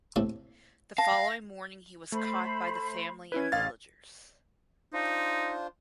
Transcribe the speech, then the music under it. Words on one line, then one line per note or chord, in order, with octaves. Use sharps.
The following morning he was caught by the family and villagers.
A2 C3 A4
F5 A5 A#6
A3 C5 B5
C#4 E4 B4 G#6
A1 F5 A6
D4 D#4 F4 C5